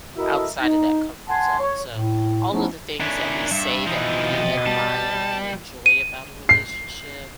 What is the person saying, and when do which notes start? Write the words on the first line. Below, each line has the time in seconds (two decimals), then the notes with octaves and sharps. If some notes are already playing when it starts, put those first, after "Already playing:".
outside of that comfort zone. So all of the things that we say that we admire and enjoy about a relationship,
0.17 E4 F#4 A4 A#4 D#5 E5
0.60 D#4
1.28 F#5 G#5 A5 C6
1.59 C#5
1.90 A2
2.51 F3 A3 B3 C#4 D#4 E4
3.00 D#3 C#4 D4 E4
3.52 G2 E5
3.86 B2 E3 F3 D#4 F4 D#5 A6
4.31 C3
4.66 G3 A5
5.86 D#7
6.49 C7